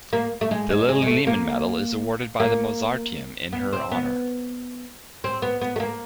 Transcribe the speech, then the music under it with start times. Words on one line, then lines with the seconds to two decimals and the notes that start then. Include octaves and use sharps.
The Lilli Lehmann Medal is awarded by the Mozarteum in her honour.
0.13 A#3
0.41 A3
0.51 G#3
0.70 G#3
0.89 G#3
1.02 G#3
1.07 A3
1.27 A#3
2.40 A#3
3.53 B3
3.73 C4
3.92 B3
5.24 C4
5.42 B3
5.61 B3
5.76 A3
5.80 A#3